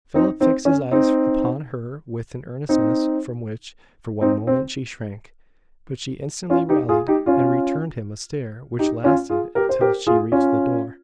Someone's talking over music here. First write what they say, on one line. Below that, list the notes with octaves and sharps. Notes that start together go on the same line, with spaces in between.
Philip fixed his eyes upon her with an earnestness from which, for one moment, she shrank; but she instantly rallied, and returned him a stare which lasted till she reached the door.
C4 D#4
C4 D#4
C#4
C4 D#4
C4 D#4
C4 D#4
C4
C#4 F4
D#4 G4
F4 G#4
D#4 G4
C#4 F4
D#4 G4
C#4 F4
F4 G#4
G4 A#4
C5
G4 A#4
F4 G#4
C#4 F4